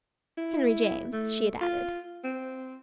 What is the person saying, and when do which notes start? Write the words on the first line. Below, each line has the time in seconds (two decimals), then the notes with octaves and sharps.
Henry James, she had added.
0.38 E4
1.13 A3
1.61 F4
2.24 C4